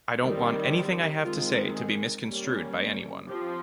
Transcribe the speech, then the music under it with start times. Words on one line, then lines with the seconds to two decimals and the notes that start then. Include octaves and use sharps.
I don't want anything I have to say to be misconstrued by anyone.
0.23 D#3 G3 C4
1.24 D#3 G#3 C4 F4
1.75 G#4
2.26 G3 A#3 C#4
3.28 F3 C4 G4